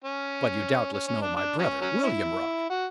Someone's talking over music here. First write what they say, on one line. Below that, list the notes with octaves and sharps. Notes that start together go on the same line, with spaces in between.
But you doubtless know my brother, William Rugg.
C#4
C#4
C#4
D4
D4
F#3 C#4
F#3 C#4
C#4 E4
F#4